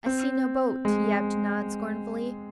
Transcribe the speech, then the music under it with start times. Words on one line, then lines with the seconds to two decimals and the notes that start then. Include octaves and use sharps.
"I see no boat," yapped Nod scornfully.
0.06 C4
0.85 G#3